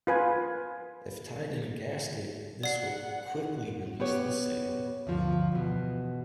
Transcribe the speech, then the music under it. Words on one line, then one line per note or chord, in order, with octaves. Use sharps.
If tied in a gasket, this will quickly release the sail.
F4 B4 G#5
D5 F#5 C7
B3 G4 C#5
D2 G2 F3
E2 B2